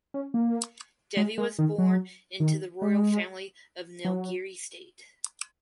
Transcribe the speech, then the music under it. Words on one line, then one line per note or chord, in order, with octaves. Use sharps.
Devi was born into the royal family of Nilgiri State.
C#4
A#3
G#3
G#3
D#3
F#3
D#3
G#3
F#3